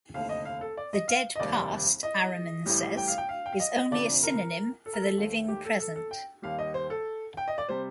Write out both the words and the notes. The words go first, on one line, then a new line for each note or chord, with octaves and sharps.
The dead past, Araman says, is only a synonym for "the living present".
F1 D#2 D3 A3 F5
D#5
F5
A4
D5
D#5
F5
D#5
F1 D#2 D#3 G3 D5
D#5
A1 A2 G3
G5
F5
G5
F5
G5
F5
D#5
D#5
F1 F2 D3 D5
A#4
A4
A#4
A4
D#2 D#3 A3
G4
A4
A4
A4
G5
D#2 D#3 G3 F5
D#5
C5
A4
G5
D#5
D5
C3 G3 C5